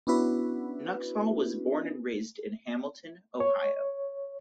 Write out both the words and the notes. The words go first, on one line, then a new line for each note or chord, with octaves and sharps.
Nuxhall was born and raised in Hamilton, Ohio.
B3 C#4 D4 E4 F#4 B4
C#5